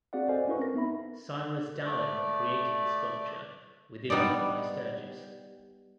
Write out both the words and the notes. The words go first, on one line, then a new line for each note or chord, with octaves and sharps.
Cyrus Dallin created the sculpture with input by Sturgis.
C4 F#4 G#4 D5 F5 F#5
A4 C5 D5 D#5 F5 G#5
C#4 E4 A4 B4 C#6
C4 A#4 A#6
B3 D#4 E5 B5
A3 D5
G3 B3 D#4 D5